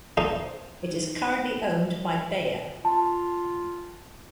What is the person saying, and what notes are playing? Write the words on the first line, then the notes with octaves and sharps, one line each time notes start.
It is currently owned by Bayer.
E2 D#4
F4 A5